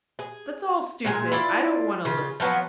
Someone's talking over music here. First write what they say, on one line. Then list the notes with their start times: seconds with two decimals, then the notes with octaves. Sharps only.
That's all stupid, I don't want to listen.
0.19 G#4
1.05 A#2 G#3 G#5
1.32 E4 F4 D5
2.05 C#3 F4
2.40 F3 F#3 B3 C#4